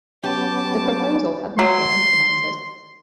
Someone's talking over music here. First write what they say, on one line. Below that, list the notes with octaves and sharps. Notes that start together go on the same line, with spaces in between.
The proposal had not been implemented.
F#3 B3 C#4 G4 A5 D6
F#3 C6